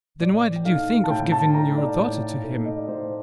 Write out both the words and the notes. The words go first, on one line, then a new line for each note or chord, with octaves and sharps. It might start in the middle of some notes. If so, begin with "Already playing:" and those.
"Then, why did you think of giving your daughter to him?"
A2 D5
G5
A3 D#4 F5
A5
A2 G5
A5
A3 D#4 A#5
D5
A2
A3 D#4
D#5
D5
A2 C5